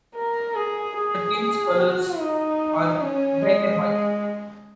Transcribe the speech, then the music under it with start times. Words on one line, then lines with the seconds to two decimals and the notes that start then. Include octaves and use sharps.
The team's colors are black and white.
0.15 A#4
0.55 G#4
0.97 G#4
1.80 F#4
2.20 D#4
3.02 C#4
3.42 G#3